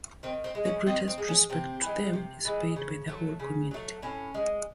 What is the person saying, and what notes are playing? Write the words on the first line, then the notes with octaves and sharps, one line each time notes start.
The greatest respect to them is paid by the whole community.
D#3 C4
C4
G#3
C#4
D#3 C4 D#4
C4
G#3
C#4
C3 C4
E3 G#3
C3
E3 G#3
C#3
F#3 A3
C#3
F#3 A3
A2 C#4
G#3